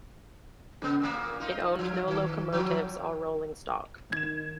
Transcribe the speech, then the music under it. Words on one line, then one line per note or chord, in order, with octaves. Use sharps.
It owned no locomotives or rolling stock.
C#3 B3
A#2 A#3
D#4 F4
F3
D#3
F3 F#3
D#3 G#6 E7